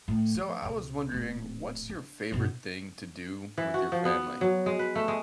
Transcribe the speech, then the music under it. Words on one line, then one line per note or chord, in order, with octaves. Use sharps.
So I was wondering, what's your favorite thing to do with your family?
A2
F3
C#2 B2
D1 A#1
D4
G2 B2
E3
F#4
F3
B3
F#3
G#3
B4
A3
G#3